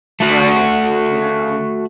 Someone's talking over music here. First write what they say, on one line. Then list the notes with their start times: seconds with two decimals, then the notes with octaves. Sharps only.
Right. Yeah.
0.20 A3 F#4